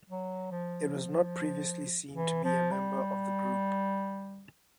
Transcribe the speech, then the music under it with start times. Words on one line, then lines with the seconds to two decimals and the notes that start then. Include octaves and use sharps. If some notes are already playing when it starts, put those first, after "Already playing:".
It was not previously seen to be a member of the group.
0.10 F#3
0.51 F3
2.16 E3
2.44 F3
2.71 G3